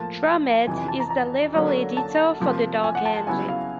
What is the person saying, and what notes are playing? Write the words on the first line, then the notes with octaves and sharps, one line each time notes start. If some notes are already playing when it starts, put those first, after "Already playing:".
DromEd is the level editor for the Dark Engine.
Already playing: A2 F3 A#3 A5
F2 C3 E3 G#5
G#5
A5
A#5
A#5
D3 F#3 A#3 C#4
A5
C3 F3 A#3
G#5
F#5
A5
A5
C#3 F#3 B3 E4 G#5
F5